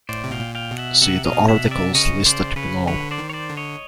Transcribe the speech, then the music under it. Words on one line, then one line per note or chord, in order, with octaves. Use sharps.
See the articles listed below.
A2 C5 D5
C3
B2 F5 G5
A#2
F5 G5
B2
E5 F#5
C3 E5 F#5
D#5 F5
B2
E5 F#5
C3
D5 E5
C#3 C#5 D#5
C#3 C5 D5
C#3 B4 C#5
D3 B4 C#5
C5 D5
D#3
C#5
C5 D5
D3
C#5 D#5